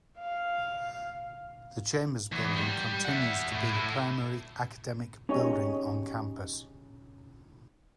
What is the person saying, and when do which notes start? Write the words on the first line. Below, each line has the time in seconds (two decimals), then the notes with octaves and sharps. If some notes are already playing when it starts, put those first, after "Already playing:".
The Chambers Building continues to be the primary academic building on campus.
0.19 F5
2.32 E2
2.56 G3
3.05 E5 F#5
3.52 A2
3.73 A3 E4
5.29 C#4 D#4 G4 G#4 C#5 D#5